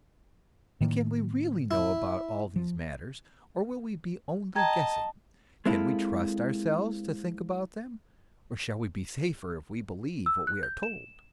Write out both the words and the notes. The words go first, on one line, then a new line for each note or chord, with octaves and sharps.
And can we really know about all these matters, or will we be only guessing? Can we trust ourselves to think about them, or shall we be safer if we believe what we are told?
A2 D#3 A#3
E4
F3
D#5 G5 A5 A#5 G#6
G#3 A#3 C4 E4 F4 A4
E6
F#6
G6
E7